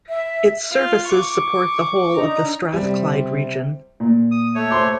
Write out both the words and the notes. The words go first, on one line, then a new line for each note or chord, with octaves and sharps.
Its services support the whole of the Strathclyde region.
E5
F4 F5
C#6 D6
D4 D#4 A#5
C3 G3
A#2
D#6
A3 C#5
C5 C6 D6